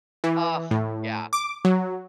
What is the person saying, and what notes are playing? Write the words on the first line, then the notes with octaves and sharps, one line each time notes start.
Ugh, yeah.
E3
A2
D6
F#3